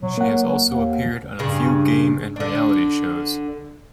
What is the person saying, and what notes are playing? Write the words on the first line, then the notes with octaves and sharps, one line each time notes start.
She has also appeared on a few game and reality shows.
B2 F#3
A#3 F#5
D#2
G2 C#3
D3 D4